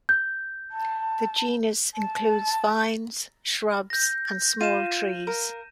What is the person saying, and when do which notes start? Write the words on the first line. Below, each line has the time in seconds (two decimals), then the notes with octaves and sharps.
The genus includes vines, shrubs, and small trees.
0.09 G6
0.71 A5
1.94 A5
3.90 G6 A#6
4.61 F4 D#7 E7
5.27 A#4 F5